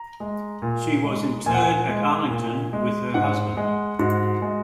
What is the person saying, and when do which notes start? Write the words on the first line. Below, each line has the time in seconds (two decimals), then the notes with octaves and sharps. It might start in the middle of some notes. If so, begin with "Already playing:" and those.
She was interred at Arlington with her husband.
Already playing: A#5
0.20 G#3
0.62 A#2
1.04 G#3
1.46 A#2 G#5
1.54 F#5
1.62 G#5
1.88 G#3
2.30 A#2
2.73 G#3
3.14 G#2 F#5
3.57 G#3
3.99 G#2 F#4
4.42 G#3